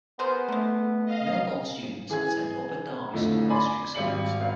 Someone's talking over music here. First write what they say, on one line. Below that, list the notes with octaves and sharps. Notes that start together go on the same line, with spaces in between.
Millbourne students attend Upper Darby School District schools.
B3 G#4 A#4 C5
D3 G#3 A3
D#5 F5
E3 G#4 G#5 G#6
F2 A2 D3 A3
D5 G#5 B5 C6
G#1 G3 C#7 F#7
G#1 F5